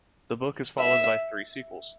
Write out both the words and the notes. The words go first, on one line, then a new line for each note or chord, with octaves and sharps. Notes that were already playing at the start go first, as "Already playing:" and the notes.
The book is followed by three sequels.
E5